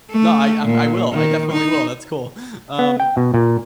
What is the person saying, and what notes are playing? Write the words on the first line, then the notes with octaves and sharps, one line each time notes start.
Nah, I I'm I will, I definitely will, that's cool. Um,
A3
A#2
D#3
D#4
B3
G5
B2
A#2